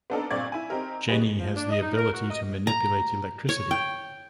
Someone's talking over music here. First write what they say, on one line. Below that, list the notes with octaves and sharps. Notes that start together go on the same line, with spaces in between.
Jenny has the ability to manipulate electricity.
B3 C4 D4 D#4 A4 A#4
G1 A#2 C4 D5 C#6 G#6
E4 G#5
C4 D#4 G4 A#4
B2 G3 D#4 G#4 B4
F3
D4
D#5
D#4
A#4
F#4
D#5
A#5
C#5
G5